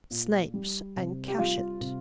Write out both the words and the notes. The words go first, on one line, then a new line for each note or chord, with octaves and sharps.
Snape and Cashett.
A#2
G3
C3
G4
G3 F4
C3